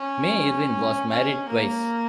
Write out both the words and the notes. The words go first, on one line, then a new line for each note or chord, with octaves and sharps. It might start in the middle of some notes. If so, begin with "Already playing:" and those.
May Irwin was married twice.
Already playing: C#4
C#4
A#3